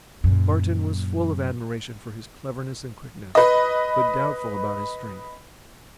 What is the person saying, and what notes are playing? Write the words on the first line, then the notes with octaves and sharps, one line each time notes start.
Barton was full of admiration for his cleverness and quickness, but doubtful about his strength.
F#2 A#2
B4 D#5